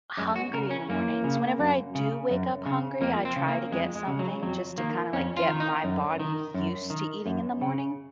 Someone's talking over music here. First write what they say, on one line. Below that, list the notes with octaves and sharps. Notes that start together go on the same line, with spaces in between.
hungry in the mornings; whenever I do wake up hungry, I try to get something just to kinda, like, get my body used to eating in the morning.
F#2 G#3
F#4
C#3 A#4
C#4
F#2 A#3
C#3
F#2
C#3
F#2
C#3
F2 A#3
C4
C#3
A#3
F2 G#3
G#3
C#3
F#3
F2 F#3
D#3 A#3
F2 C#4
F4
D#3
D#4
F#2
D#3
F#2
D#3
F#2
C#3